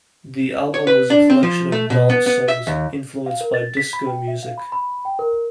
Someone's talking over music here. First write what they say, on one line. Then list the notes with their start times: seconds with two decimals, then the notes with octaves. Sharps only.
The album was a collection of dance songs, influenced by disco music.
0.74 C#5
0.87 B4
1.10 D4
1.30 C4
1.43 F3
1.72 A3
1.90 B2
2.10 B3
2.26 B3
2.48 E5
2.67 D#2
3.26 F5
3.41 A#4
3.54 A6
3.77 B6
3.93 B5
4.07 G5
4.28 E5
4.43 F5
4.58 B5
4.72 B5
5.05 G5
5.19 A#4